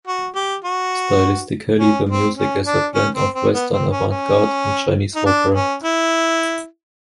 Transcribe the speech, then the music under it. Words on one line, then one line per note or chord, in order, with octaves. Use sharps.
Stylistically, the music is a blend of Western avant-garde and Chinese opera.
F#4
G4
F#4
C#4
C4
C#4
D4
C#4
C4
C4
B3
C4
C#4
C#4
D#4
D4
C#4
E4